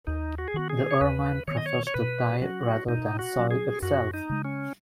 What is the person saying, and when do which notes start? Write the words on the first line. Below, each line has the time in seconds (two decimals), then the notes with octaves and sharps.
The ermine prefers to die rather than soil itself.
0.07 D#2 D#4
0.38 F#4
0.48 G#4
0.54 D#3 B3 F#4
0.70 G#4
0.91 C#5
1.01 D#2 B4
1.47 D#3 B3 C#5
1.57 D#5
1.66 C#5
1.87 C#5
1.94 B2 B4
2.41 F#3 C#4 F#4
2.88 B2 D#4
3.19 F#4
3.36 F#3 C#4
3.51 G#4
3.82 F#2 F#4
4.14 D#4
4.29 C#3 G#3
4.45 C#4